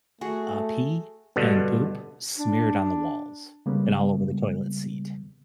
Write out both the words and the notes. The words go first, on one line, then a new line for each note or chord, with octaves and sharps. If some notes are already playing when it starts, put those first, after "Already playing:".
uh, pee and poop smeared on the walls and all over the toilet seat.
A3 F#4 G#4
G2 B2 D3
D4
C#3 G3 G#3 A#3 B3